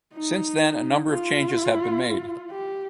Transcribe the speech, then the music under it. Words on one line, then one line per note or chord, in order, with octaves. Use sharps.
Since then, a number of changes have been made.
D#4
F4
G4